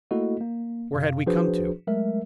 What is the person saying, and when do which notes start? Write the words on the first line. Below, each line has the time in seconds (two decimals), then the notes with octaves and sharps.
Where had we come to?
0.11 A3 A#3 E4 F#4 A4 D#5
0.40 A#3
0.93 F#2 C3 F5
1.26 F3 D4 F#4 G#4 B4 C5
1.87 F#3 G#3 A3 A#4 E5